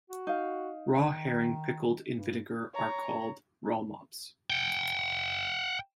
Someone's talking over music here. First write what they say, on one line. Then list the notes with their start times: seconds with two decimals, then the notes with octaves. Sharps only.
Raw herring pickled in vinegar are called rollmops.
0.10 F#4
0.27 D#4 F5
0.91 D#3
2.13 G2
2.74 C#5 A#5
4.50 F#5 G5